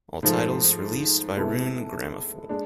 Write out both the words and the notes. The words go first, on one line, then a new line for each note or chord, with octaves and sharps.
All titles released by Rune Grammofon.
G#2 F3 A3
C3 G#3 B3 E4 A4
G#3 D4